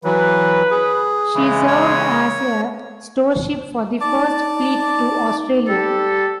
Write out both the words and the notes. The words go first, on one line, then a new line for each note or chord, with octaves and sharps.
She served as a storeship for the First Fleet to Australia.
E3 F#3 B4
G#4
C#3 E3 G#3
C#5
D#4 D5 A5 D6
G3 G4 A4